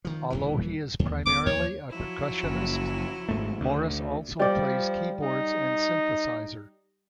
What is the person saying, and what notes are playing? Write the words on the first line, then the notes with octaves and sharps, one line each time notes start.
Although he is primarily a percussionist, Morris also plays keyboards and synthesizer.
D#3 F3
D#1 G#1 E3
D#2
D1 B3 D6
D#2 F3 C#5
F3 F#3 E4
F#1
G#1 G#2 A3
D2
F3 G3 D5 G5
D#4